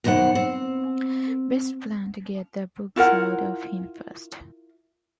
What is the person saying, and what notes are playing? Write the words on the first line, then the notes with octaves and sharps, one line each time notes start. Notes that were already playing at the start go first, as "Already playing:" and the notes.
Best plan to get the books out of him first.
F#2 B2 D#3 C5 F#5
C4
E4 F4 A#4 F#5